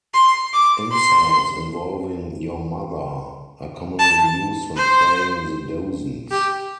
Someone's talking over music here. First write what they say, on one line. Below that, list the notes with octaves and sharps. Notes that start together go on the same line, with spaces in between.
Insults involving "your mother" are commonly used when playing the dozens.
C6
D6
C6
A5
C5
G4